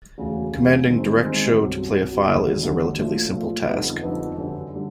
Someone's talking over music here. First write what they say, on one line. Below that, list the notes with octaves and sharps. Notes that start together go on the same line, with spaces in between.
Commanding DirectShow to play a file is a relatively simple task.
E1 D2 C#3 F#3
E1 D2 C#3 F#3
G2 D#3 G#3 C4
G2 D#3 G#3 C4
C2 B2 F#3
C2 B2 F#3
E1 D#2 D3 F#3 A#3
E1 D#2 D3 F#3 A#3
A#2 F3 A3
A#2 F3 A3
F2 D3 G3 B3 D#4
F2 D3 G3 B3 D#4
F#2 D3 G3
D3 G3